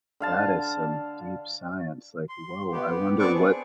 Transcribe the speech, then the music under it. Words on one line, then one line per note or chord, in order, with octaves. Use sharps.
That is some deep science, like, whoa, I wonder what
D3 F5 A5
C6
B3 G4
B3 C4 D4 D5 C#6 D6
G#4